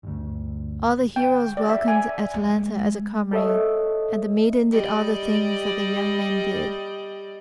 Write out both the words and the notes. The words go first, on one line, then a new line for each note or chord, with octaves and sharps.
All the heroes welcomed Atalanta as a comrade, and the maiden did all the things that the young men did.
G1 D2
G5
D5
E5
G#5
G#3
A4 C#5 D#5 E5
G3 D5 D#5